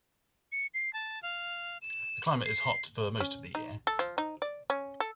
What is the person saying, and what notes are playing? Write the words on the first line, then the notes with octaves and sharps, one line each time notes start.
The climate is hot for most of the year.
C#7
C7
A5
F5
E7
C7
C#4
D#4
A4
F3
D#4
D5
C#4
A4